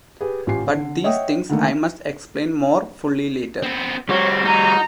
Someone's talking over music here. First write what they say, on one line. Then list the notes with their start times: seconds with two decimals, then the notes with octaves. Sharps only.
But these things I must explain more fully later.
0.21 G4 G#4 B4
0.47 A1 F4 G4 G#5 C7
0.67 D3
1.04 C#5 D#5 E5 F#5 G5 D#6
1.49 D3 D#3 A3 A#3
3.62 B3 C4
4.09 G3 C4 F#4 C#5
4.45 D#4 A#5